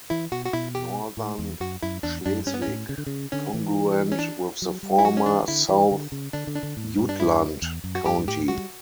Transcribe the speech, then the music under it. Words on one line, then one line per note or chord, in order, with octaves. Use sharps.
Northern Schleswig, congruent with the former South Jutland County.
E3 E4
B2 F#4
F#4
B2 E4
G4
A2
E2
F#2 F#4
F#2 E4
E2 D4
F#2 D4
G2 C#4
B3
C#4
A2
C#3
D3
C#3
D3 C#4
E3
C#4
D4
F#3
G3
E4
F#3 F#4
C#4
E3 D4
E3
D3 E4
E3
D3
C#3
D3 D4
D3
D4
D3
A2
G2
D4
E4
E2
F#2
F#4
G2 G4
G2
A2 G4
G3 F#4